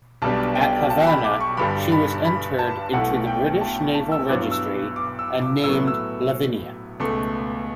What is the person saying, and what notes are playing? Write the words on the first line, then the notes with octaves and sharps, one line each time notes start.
At Havana she was entered into the British naval registry and named "Lavinia".
B1 B2 G3 D4 A5
G5
A5
B5
D6
C#6
G1 G2 D3 G3 B5
B5
B5
A5
B1 B2 A3 E4 F#5
G5
A5
A5
E6
G2 F#3 B3 E4 D6
E6
D6
E6
D6
A2 F#3 B3 E6
E6
C#2 B2 A3